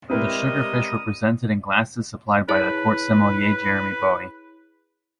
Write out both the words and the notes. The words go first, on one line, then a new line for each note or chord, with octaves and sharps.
The sugar fish were presented in glasses supplied by the court sommelier Jerome Bowie.
G3 G#3 C4 E4 A#4 B4 D#6
E4 G#4 B4 C#5